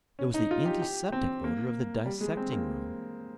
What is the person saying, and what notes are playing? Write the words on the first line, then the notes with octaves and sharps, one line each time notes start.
It was the antiseptic odour of the dissecting-room.
C#4
D#4
F4
G4
G4
C4
A#3
G3
G#3
C4
A#3